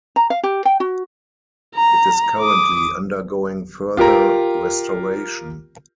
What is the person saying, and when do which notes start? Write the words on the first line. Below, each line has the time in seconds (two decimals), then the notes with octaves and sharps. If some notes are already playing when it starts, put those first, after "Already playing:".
It is currently undergoing further restoration.
0.16 A#5
0.30 F5
0.43 G4
0.65 G5
0.80 F#4
1.75 A#5
2.39 D6 D#6
3.97 F4 G4 A#4 A#5